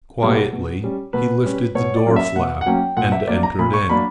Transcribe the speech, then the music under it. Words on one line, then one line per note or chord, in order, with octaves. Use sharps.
Quietly he lifted the door-flap and entered in.
B2 G3 A#3
B2
G3 C#4
B2 B4
G3 C#4
B2 C#5
D5
F#3 A#3 C#4
E5
B2 F#5
F#5
F#3 A#3 C#4 G5
A#2 F#5
E5
F#3 A#3 D4 D5
A#5
A#2 B5
C#6
F#3 A#3 D4 B5